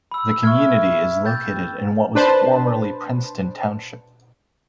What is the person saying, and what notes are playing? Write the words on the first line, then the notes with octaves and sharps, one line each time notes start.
The community is located in what was formerly Princeton Township.
B5 E6
E5 C#6 F6 G#6
G5 G6 A6
D4 B4 C5 A5